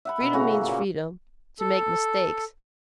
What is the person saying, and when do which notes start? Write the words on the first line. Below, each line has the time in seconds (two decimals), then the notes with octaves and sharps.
Freedom means freedom to make mistakes.
0.05 E5 F#5 B5
0.20 B2 A#4
0.33 A2 C#3 F#4 A#5
0.53 A#3
0.67 A#2
1.60 A4